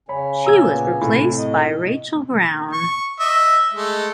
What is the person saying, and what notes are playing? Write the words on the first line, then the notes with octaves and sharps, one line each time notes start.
She was replaced by Rachel Brown.
C#3 C#4 C#5 B5
A#5 E6 G#6
A#2 B3
A2 C3
D#5
C#6
D#5 E5
G#3 A3